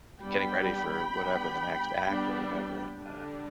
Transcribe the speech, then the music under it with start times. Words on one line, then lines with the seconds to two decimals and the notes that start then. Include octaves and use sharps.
getting ready for whatever, the next act or whatever, and, uh,
0.22 G3 B3 D4 G5 B5
1.14 G3 B3 D4
2.06 G3 B3 D4
2.98 D3 G3 D4